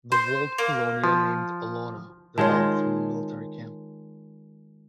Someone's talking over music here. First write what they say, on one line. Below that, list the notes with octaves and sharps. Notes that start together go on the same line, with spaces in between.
The walled colonia named "Alauna" developed from the military camp.
C5
A#3
F3
D#3 G#3 F4 C#5 A5